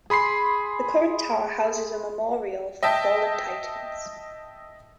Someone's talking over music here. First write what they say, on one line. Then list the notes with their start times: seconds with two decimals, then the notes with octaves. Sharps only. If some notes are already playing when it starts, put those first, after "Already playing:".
The current tower houses a memorial for fallen Titans.
0.10 G#4 B5 C6 C7
2.83 D#5 E5 G5 A5